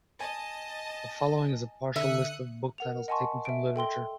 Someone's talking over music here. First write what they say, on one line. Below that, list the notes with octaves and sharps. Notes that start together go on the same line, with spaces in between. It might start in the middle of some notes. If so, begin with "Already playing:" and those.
The following is a partial list of book titles taken from literature.
D#5 G#5 A5
D3 E5 D#6 F#6 C#7
A#4 F#5 F7
D#5 F#5 G#5 A5 C6 C#6
E5 D7
A4 G5 C6 G7